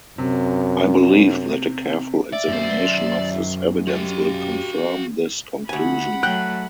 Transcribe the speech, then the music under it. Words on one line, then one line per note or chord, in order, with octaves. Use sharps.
I believe that a careful examination of this evidence will confirm this conclusion.
F#2 C3
D5 E5
F#2 C5
F#4 G4 F5
D2 F#5 G#5 B5
F#3 A3 G5 F#6